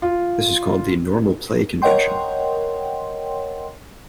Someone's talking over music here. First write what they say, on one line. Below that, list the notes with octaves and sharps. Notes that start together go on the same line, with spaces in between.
This is called the "normal play" convention.
F4
A#4 C#5 D#5 F#5 G5 C6